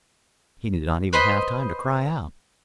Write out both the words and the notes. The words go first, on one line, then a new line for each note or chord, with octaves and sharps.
He did not even have time to cry out.
B4 C5 D#5 B5